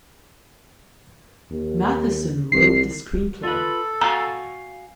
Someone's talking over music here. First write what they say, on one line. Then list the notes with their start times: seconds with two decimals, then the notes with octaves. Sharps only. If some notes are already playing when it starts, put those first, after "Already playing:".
Matheson wrote the screenplay.
1.51 D#2
2.52 C2 C7
3.43 F4 A4 B4
4.01 F#4 F5 G#5 A#5